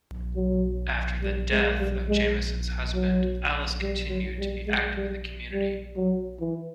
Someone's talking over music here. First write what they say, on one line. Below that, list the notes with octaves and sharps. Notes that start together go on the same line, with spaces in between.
After the death of Jamieson's husband, Alice continued to be active in the community.
F#3
G3
G#3
G3
G#3
F#3
G3
F#3
G3
G#3
G3
G3
F#3
E3